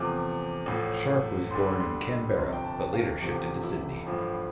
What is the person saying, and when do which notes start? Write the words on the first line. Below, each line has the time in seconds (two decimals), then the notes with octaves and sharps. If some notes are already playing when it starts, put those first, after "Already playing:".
Sharpe was born in Canberra, but later shifted to Sydney.
Already playing: E2 C3 F3 A3 D6
0.66 A1 A2 F3 A3
1.51 D2 D3 G3 C6
1.80 C6
2.36 G1 F2 C3 C6
2.53 G5
2.65 A5
2.93 F5
3.21 E1 E2 C3 F3 A3 G4
3.64 E4
4.07 A1 G2 F3 A3